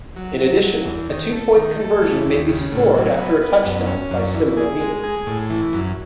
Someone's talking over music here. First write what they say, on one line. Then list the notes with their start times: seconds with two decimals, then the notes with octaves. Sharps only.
In addition, a two-point conversion may be scored after a touchdown by similar means.
0.16 F#3
0.40 F#3
0.63 F#3
0.86 E2
1.10 D#3
1.32 A3
1.56 D#3
1.79 A3
2.02 E3
2.26 D#2
2.49 C#3
2.72 A2
2.95 F#3
3.18 B3
3.42 B3
3.64 F#2
3.87 C#4
4.11 F#2
4.34 E3
4.57 G#4
4.80 G#3
5.04 G#4
5.27 A2
5.50 E3
5.73 F#2